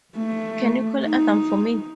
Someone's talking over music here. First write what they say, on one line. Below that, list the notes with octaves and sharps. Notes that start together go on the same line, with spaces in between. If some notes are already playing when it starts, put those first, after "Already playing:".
Can you call Adam for me?
A3
D#4